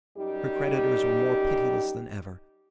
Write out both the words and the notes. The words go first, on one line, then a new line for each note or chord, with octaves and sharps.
Her creditors were more pitiless than ever.
F#2 G3 D#4 G4